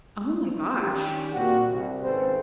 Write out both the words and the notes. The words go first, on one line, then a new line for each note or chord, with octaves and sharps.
Oh my gosh.
D#3 C#4 D4 G4
A#2 G3 A#3 C4 F4 F#4
C2
G#1 C#3 C4 A4 B4 C5